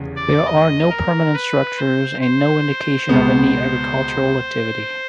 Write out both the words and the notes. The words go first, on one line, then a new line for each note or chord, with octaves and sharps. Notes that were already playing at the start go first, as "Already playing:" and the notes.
There are no permanent structures and no indication of any agricultural activity.
Already playing: F1 E2 C#3
D5
D#5
A#4
B4
C5
C5
C#2 B2 G#3 B3